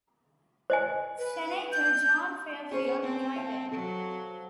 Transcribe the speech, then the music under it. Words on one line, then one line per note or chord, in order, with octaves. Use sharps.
Senator John Fairfield Dryden.
C5 D#5 G#5
B4
G6
C#4 G#4 C5
C4 A5
F5 A5
F#3 A4